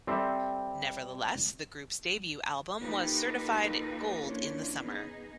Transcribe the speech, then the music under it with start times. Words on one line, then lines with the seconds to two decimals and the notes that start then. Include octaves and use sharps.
Nevertheless, the group's debut album was certified Gold in the summer.
0.07 G3 C4 A4 C5 E5
2.80 A#3 D#4 F4 G4 A4 B4
4.23 E3 A#3 C#4 D4 F4 C#5
4.82 B3 D#4 G#4